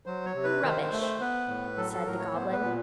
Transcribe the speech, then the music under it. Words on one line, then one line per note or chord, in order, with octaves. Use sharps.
"Rubbish!" said the Goblin.
F#3 C5
C#5
C3
B4
D#3 C5
C5
A3
C5
B3 B4
A2
F#3 A4
A4
A2 A#4
C#5
B3 C5
B4
A#2